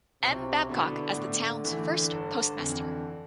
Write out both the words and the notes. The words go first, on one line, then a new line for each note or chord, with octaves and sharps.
M. Babcock as the town's first postmaster.
B1 C3
B2 D3 B3 E4
A2
E3 A3 E4
G1
F2 E3